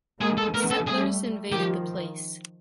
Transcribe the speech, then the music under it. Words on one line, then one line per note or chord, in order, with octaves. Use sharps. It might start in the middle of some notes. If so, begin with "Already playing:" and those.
The settlers invaded the place.
G#3 A#3 G#4
A4
A3 B3 A#4
A4
G3 A3 G#4
D#3 F3 G4